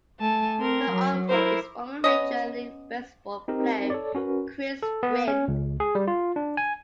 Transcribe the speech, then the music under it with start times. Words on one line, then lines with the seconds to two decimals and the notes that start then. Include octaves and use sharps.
Her uncle is former Major League Baseball player Chris Gwynn.
0.20 A3 G#5 A5
0.60 C4 A#4 C6
0.91 F#3
1.29 E4 A#4 C5
2.04 B3 C#4 D#5
3.48 C4 D#4 G4 A#4
3.90 A4 C#5 D5
4.15 C#4 F#4 A#4 B4
4.83 A4
5.03 B3
5.28 C#4
5.48 C#2
5.80 G#4
5.95 G3
6.08 F4
6.36 D4
6.57 G#5